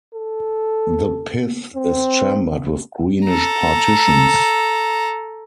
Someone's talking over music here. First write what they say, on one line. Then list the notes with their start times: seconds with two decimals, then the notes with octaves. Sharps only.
The pith is chambered with greenish partitions.
0.14 A4
1.76 C4
3.26 A4 A#5